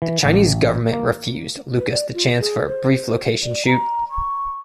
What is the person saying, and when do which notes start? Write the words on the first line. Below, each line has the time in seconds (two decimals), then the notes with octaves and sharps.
The Chinese government refused Lucas the chance for a brief location shoot.
0.02 E3
0.25 A1
0.93 A#3
1.79 B4
1.91 D5
2.14 F4
2.39 G#4
2.66 C5
3.43 D5
3.66 A#5
4.11 C#6